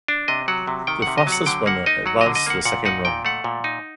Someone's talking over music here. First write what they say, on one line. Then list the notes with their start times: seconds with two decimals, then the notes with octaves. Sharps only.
The fastest runner advanced to the second round.
0.08 D4
0.28 C3 D#5
0.48 F#3 F#5
0.67 C3
0.87 D#3 G5
1.02 C3 F#5
1.18 D#5
1.27 F#3
1.32 F#5
1.46 D3 G5
1.66 A#3 F#5
1.86 D#4 D#5
2.06 F#3 F#5
2.21 D#5
2.26 D3
2.35 D#5
2.46 A#3 F#5
2.65 A#2 F#5
2.85 D#4 F#5
3.05 A#2 G5
3.25 A3 F#5
3.44 A#2
3.64 D#4